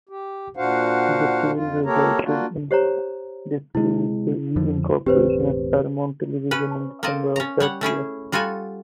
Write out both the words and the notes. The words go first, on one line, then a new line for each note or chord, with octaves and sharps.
The sale resulted in Desilu's re-incorporation as Paramount Television in December of that year.
G4
A#2 D4 F#4 C5 F5 F#5
F2 F4
A#3 G4 A4 A#4 C#5 A#5
A#3 D4 F4 F#4
G4 C5 C#5 A#5
C3 G#3 E4
F2 D3 F3
E1 A1 C4 G4 B4 C5
C#4 B4
A#3 C4 A4 D5 D#5
C#4 A#5
G3 C#5 F#5
A3 C#4 E4 G#4
G3 F4 F#4 A4 G#5